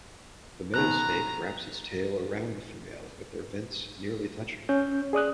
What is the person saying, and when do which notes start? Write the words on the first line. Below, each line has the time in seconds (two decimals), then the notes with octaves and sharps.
The male snake wraps its tail around the female with their vents nearly touching.
0.74 B2 D#3 A#5 F#6
4.69 C#4 G6
5.13 G#4 D5 D#6 F#6